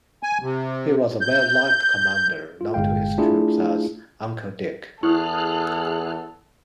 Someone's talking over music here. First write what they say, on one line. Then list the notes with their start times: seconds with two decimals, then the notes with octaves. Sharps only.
He was a well liked commander known to his troops as "Uncle Dick".
0.23 G#5
0.42 C3
1.21 G6
2.61 F4
2.74 G1 G#3 F5 G5
3.18 A3 D4 E4 F4 G#4
5.03 E2 E4 G#4 A4 F6 F#6